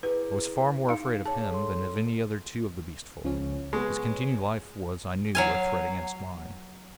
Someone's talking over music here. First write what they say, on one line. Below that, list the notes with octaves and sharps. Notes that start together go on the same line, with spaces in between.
I was far more afraid of him than of any other two of the Beast Folk. His continued life was I knew a threat against mine.
E4 G#4 B4
D#4 F5
G#4 C#5 A5
A4 C6
C#2 F3 C#4
G#3 B3 C#5
F#3 F5 G#5